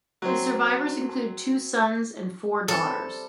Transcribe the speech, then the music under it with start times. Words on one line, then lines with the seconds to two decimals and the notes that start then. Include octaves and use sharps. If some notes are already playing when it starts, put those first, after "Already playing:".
His survivors include two sons and four daughters.
0.22 F#3 C4
2.68 C3 G3 A4 A5